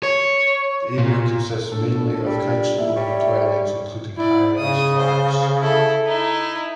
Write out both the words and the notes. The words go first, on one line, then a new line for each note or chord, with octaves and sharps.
The area consists mainly of council owned dwellings including high rise flats.
C#5
A#2
A2 D4 A4
G3
A#3 E4 E5
G3 C#5
E4 D5
C#3 D#6
C5
E4 A4
D#4 E4